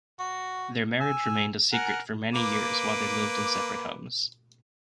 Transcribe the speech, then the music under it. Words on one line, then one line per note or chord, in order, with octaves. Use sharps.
Their marriage remained a secret for many years while they lived in separate homes.
F#4
G#5 E6
A#4 F#5 G#5
A#3 B4 D6